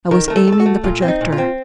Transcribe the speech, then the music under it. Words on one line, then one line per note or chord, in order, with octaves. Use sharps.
I was aiming the projector.
D#3 A#4
A3 A#4
A4
A3 A4
F#4
A3
A#2 F4
C4
D#4
A#2
F4
C4